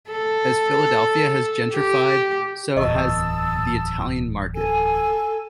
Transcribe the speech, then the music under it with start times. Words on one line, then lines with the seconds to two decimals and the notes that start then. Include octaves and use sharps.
As Philadelphia has gentrified so has the Italian Market.
0.11 A4
1.73 G4
2.77 D1 E2 D#5 A5 C#6 D#6 E6
4.54 A4 G#5